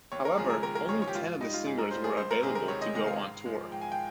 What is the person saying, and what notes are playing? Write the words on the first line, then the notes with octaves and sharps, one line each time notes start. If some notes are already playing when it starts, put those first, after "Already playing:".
However, only ten of the singers were available to go on tour.
D#2 C#5
A#4
C#3 F3 G#3 G#4
A#4
D#2 A#4
A#4
C#3 F3 G#3 C#5
C#5
G4
G#2 F4
F4
G3 D#4
F4
G#2 G#4
A#4
G3 C5
G#4
C#2 C5
A#4
C3 D#3 G#3 G#4
A#4
C#2 C#5
D#5
C3 D#3 G#3 D#5
F5
G#2
F3 G#3
G#2 G5
G#5
G5